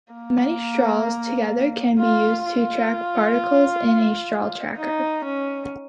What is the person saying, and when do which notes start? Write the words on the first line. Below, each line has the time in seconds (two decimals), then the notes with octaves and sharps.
Many straws together can be used to track particles in a straw tracker.
0.13 A#3
1.99 F4
2.45 F4
4.77 D#4
5.25 C#4